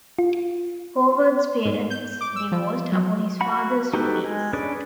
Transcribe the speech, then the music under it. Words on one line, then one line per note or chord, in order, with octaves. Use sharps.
Howard's parents divorced upon his father's release.
F4
G#2
G6
D6
E6
F3
F#3
F#4 F#5 B5
D#4 F#4 G4 A4 B4
G#3
C#4 D4 G#4 B4 D5